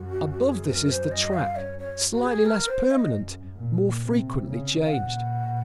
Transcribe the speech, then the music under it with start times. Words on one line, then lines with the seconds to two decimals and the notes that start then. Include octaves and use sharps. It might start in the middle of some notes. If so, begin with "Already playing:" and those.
Above this is the track, slightly less permanent, more frequently changed.
Already playing: F#2 F#4
0.44 A#4
0.48 G#4
0.67 C5
0.71 A#4
0.89 C5
1.11 D#5
1.34 F5
1.56 C#5
1.79 C#5
2.12 F#4
2.23 G#4
2.46 A#4
2.68 C5
2.91 F5
2.95 D#5
3.12 F#2
3.57 A#2
4.03 C3
4.47 C#3
4.85 F5
4.92 A#2 F#5